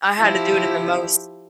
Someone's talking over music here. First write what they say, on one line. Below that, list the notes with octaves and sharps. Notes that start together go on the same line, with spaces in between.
I had to do it in the most
F3 E4 G4